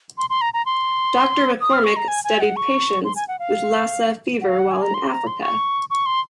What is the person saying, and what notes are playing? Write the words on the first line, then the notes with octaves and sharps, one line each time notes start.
Doctor McCormick studied patients with Lassa Fever while in Africa.
C6
C6
A#5
A#5
C6
D#6
F6
C#6
A#5
G#5
G#5
F#5
C#6
C6
G#5
F#5
F5
F#5
F5
F#5
G#5
A#5
C6
A#5
C6
C#6
C#6
C6